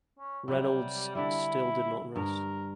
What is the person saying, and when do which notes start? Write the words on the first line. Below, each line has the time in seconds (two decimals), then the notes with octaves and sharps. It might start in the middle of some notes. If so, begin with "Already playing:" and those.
Reynolds still did not rest.
0.19 C#4
0.48 C3 F#3 G3
1.15 D3 G3 E4
2.16 G2 A#4